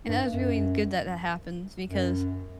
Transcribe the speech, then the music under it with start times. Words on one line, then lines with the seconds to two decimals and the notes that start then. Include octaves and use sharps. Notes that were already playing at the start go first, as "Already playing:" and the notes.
And that was really good that, that happens because
0.09 G2
0.31 F#2
1.87 F#2